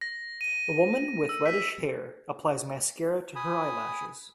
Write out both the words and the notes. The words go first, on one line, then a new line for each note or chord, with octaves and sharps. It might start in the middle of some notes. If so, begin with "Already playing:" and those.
A woman with reddish hair applies mascara to her eyelashes.
A#6
D#7
E6
B6
G#5 B5 D#6